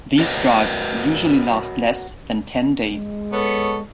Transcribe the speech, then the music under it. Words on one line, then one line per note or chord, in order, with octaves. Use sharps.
These drives usually last less than ten days.
F#4 A#4 B4 C#5 D#5
G#3
B3 A4 C#5